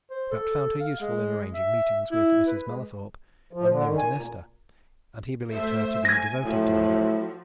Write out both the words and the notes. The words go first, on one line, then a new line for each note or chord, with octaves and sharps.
Pratt found her useful in arranging meetings with Mrs. Mallathorpe unknown to Nesta, and he believed her to be devoted to him.
C5
A4
F5
G#3
E5
E4
B4
G#3
F3
D3
D#3
G#5
A#2
A3 C5 E5
G#5 G#6 A#6
A2 F3 F#3